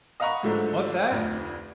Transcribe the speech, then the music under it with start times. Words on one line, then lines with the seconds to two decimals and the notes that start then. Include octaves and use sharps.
"What's that?"
0.20 D#5 F5 F#5 A#5 B5 C#6
0.43 G#2 D3 F3 F#3 G#3 A3
1.11 F1 D2 F3